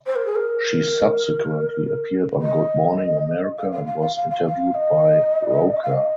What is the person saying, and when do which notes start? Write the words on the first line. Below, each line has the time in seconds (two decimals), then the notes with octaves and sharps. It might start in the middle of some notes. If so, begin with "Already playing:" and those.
She subsequently appeared on Good Morning America and was interviewed by Roker.
0.07 C5
0.16 A#4
0.26 G#4
0.36 A#4
2.41 D#5
3.58 F5
3.72 F5
3.87 F5
4.02 F5
4.16 F5
4.31 F5
4.47 F5
4.75 D#5
5.83 F5
5.92 D#5